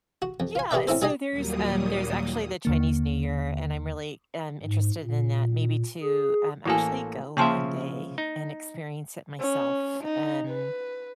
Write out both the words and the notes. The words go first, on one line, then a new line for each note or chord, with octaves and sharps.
Yeah. So there's, um, there's actually the Chinese New Year, and I'm really, um, interested in that, maybe to, um, actually go one day and experience it myself. Um,
F#4
F2
F4 G#5
G4 G#4 B4 D5 E5 G5
C4 C#4 E4 A4 C5
G3 G#4 D#5 G#5
D#2 A#2 F#3 G3 A#3 D#6
D#2 D3 A#3
G#2
A#2
G#4
A1 A#3 E4 F#4 A4 G#5
C#3 F3 A#3 E5 A5 C6
D#4
C#4
D#4
B4